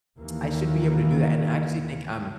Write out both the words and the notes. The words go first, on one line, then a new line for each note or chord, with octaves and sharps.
I should be able to do that, and I actually think, um,
D#2 D#3 E3 A#3